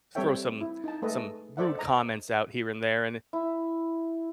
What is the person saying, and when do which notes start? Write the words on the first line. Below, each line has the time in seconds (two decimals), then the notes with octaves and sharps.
throw some some rude comments out here and there, and
0.15 G3 C4 A4 C#5 E5 G5
0.61 E4
0.84 D#4 A5
1.02 G#3 A3 A4 B4 D#5
1.57 A4 C5 D5 E5 F#5
1.78 D#5 A#5
3.33 E4